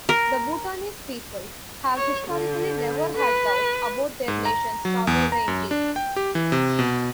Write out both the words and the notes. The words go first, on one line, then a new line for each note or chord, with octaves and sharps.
The Bhutanese people have historically never had doubts about their nation's sovereignty.
A#4
C#5
D3
B4
G#2
A#5
F#3
E2
A#5
F#2
D4
G5
G4
E3
C3
B2